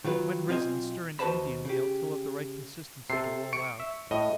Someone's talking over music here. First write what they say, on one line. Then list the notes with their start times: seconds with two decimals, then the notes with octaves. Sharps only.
When risen, stir in Indian meal till of the right consistency to roll out.
0.04 D#3 F#3 F4 B4
0.48 B1 C4 F4 D#5 G#5
1.19 D#2 F#4 B4 C5 A5 B5
1.65 C#3 G4
3.10 C3 A4 C7
3.53 C#6 C#7 D7
3.80 E5
4.11 A2 D#5